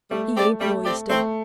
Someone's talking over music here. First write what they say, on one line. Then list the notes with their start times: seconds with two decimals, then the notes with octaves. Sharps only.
He ain't no oyster.
0.11 G3 A3
0.36 C4 G4 D5
0.60 G3 A3
0.84 C4 G4 D5
1.09 A3 C4